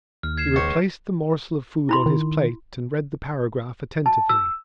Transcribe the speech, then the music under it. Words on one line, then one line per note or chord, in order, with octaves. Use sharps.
He replaced the morsel of food on his plate and read the paragraph attentively.
D#2 F6
G#6 C7 E7
C#2 C5 C#5
E4 B5 C6
D#3
A5
E6